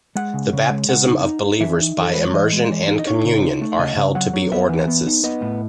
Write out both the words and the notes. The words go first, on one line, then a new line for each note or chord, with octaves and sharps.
The baptism of believers by immersion and Communion are held to be ordinances.
G#3 F#5
C#3
C#3
G#3
C#3 F#5
D#4
D#4
D#4
E3 E5
D#4
E3 A4
G#3 B4
C#5
E3 D#5
G#3
E3
D#4
D#5
D#4 C#5
C#3
D#4
A3
C#3 D#5
C#3
F#3 F#5
F#3
B3 E5
E3
B3
D#4
B3 D#5
A2